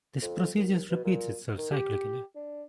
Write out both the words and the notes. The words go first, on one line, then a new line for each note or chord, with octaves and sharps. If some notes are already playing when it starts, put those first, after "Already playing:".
This procedure repeats itself cyclically.
F2
D#2
B2
A#2
D#3
G4
D4